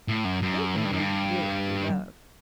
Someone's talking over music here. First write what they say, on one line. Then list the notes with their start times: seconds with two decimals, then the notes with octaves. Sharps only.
They have been known to do it through love.
0.08 A2
0.25 F#2
0.42 F#2
0.77 A2
0.85 G2
0.92 F#2
1.00 G2